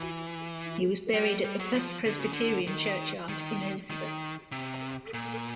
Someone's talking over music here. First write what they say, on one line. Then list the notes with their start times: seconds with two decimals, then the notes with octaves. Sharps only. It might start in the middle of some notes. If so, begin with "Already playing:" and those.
He was buried at the First Presbyterian Churchyard in Elizabeth.
Already playing: E3
1.14 G3
1.44 G3
1.60 F#3
1.75 F3
2.06 D3
2.19 C#3
2.33 D3
2.67 D#3
3.29 D#3
3.90 D#3
4.52 C3
5.14 A#2